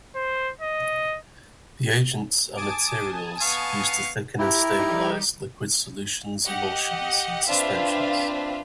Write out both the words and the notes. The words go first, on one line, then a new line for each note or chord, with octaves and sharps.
The agents are materials used to thicken and stabilize liquid solutions, emulsions, and suspensions.
C5
D#5
G#5 A5 D6 D#6
B3 F5 C#6
E4 G4 A#4
G3 D#4 G4
G4 D#5 F#5
C4 D4 F4 B4 E5 F5